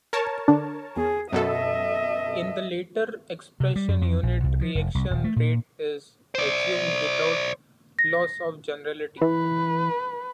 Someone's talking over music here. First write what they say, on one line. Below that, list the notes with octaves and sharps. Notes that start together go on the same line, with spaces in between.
In the later expression unit reaction rate is assumed without loss of generality.
A#4 C#5 A5
D3 D4
E2 G#4
F#2 B2 A4 D#5 E5
C3
G3
F#2
F2
A#1
C2
F3
F1
C2
D#1
A3
A#2
C5 D5
A#6
E3 B4